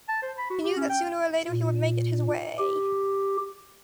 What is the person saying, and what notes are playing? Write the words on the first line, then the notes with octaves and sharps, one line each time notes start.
He knew that sooner or later he would make it his way.
A5
C5
B5
F#4
G4
C#4
G5
A#2
G4